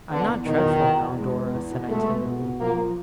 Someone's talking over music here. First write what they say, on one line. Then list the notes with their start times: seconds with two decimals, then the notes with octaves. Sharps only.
'I am not dreadful now, Dora?' said I, tenderly.
0.10 D3 B3
0.28 E2
0.46 B2 D#3
0.64 E2
0.82 B2
1.00 E2
1.17 G#3
1.35 B3
1.53 E2
1.71 B2
1.88 G#3 A3
2.07 B3
2.25 B2
2.42 B2
2.60 F3 A#3
2.77 F3